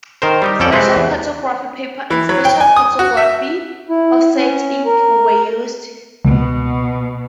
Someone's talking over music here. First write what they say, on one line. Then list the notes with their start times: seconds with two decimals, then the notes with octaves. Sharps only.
Special cartographic paper and special cartographic offset ink were used.
0.22 D#3 A#4 C5
0.42 G3 D#4 G4
0.60 F2 C#4 A4 D5 G5
0.73 C3 G#3 C4 B4
0.96 E2
2.10 E3
2.29 F#3
2.45 G5
2.60 G#5
2.76 D#6
2.99 F#4
3.17 E5
3.89 E4
4.36 C#4
4.86 A#4
6.25 C#2 B2